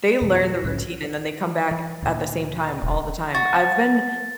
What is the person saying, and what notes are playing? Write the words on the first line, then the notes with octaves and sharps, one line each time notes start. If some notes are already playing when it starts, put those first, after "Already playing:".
They learn the routine and then they come back at the same time, all the time. I've been
F2 B2 E3
C2 A2 D3 C#4
E3
D2 A#2
E1
F#4 A6